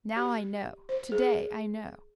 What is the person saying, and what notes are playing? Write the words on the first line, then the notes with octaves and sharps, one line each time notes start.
Now I know--to-day I know.
G4
C5
G#4